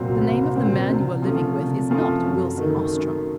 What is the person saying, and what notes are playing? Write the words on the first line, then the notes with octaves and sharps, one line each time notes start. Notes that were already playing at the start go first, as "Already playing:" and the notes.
The name of the man you are living with is not Wilson Ostrom.
Already playing: C2 A#2 F#3 C4
C2
A#2 F#3 C4
C3
F3 A3 C#4
C3
F3 A3 C#4
F#2
D#3 A3
F#2